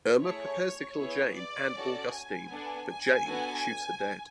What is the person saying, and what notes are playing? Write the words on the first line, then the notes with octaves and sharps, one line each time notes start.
Irma prepares to kill Jane and Augustine, but Jane shoots her dead.
A3 E4 G#4 C#5
B3 E4 G#4 C#5
D5
C#4 F#4 A4
G#5
B3 D4 A4
G#5
B3 D4 F#4 A4